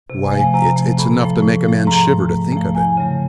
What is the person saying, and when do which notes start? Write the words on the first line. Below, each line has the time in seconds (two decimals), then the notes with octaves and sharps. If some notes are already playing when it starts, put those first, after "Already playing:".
Why, it's enough to make a man shiver to think of it.
0.10 C3
0.24 G#5
0.32 F3 A3
0.39 G#5
0.54 C3 A#5
0.76 F3 A3
0.98 A2 B5
1.21 F3 A3
1.42 A2
1.65 F3 A3
1.87 G#2 A#5
2.09 F3 A3
2.31 G#2
2.53 F3 A3
2.75 E2 G#5
2.97 C#3 F#3 A3